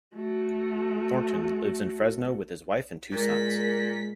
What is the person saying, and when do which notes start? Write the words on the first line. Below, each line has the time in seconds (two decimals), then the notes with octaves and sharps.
Thornton lives in Fresno with his wife and two sons.
0.15 A3 F#4
3.12 A#2 G#3 A#4 B6